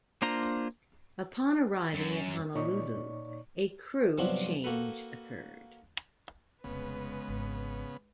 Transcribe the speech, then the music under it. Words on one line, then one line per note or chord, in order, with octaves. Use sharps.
Upon arriving at Honolulu, a crew change occurred.
A#3 D4 F4 C5 A#5
F#2
A#2 D#4 C#5 D5 C#6
G2 C3 F3 F#3 B3 D4
A#3 F#4 A4 B4
F1 C#3 G#3 B3 B4
G#1